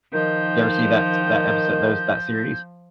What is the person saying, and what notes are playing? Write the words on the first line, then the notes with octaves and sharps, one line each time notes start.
You ever see that s that episode those that series?
D#3 F3 G6